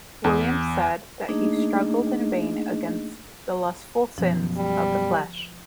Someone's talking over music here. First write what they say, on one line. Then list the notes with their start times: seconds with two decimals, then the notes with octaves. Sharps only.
William said that he struggled in vain against the lustful sins of the flesh.
0.24 E2
1.28 A3 A#3 D4 D#4 G#4 D#5
4.18 F#2 B2 F3
4.57 G3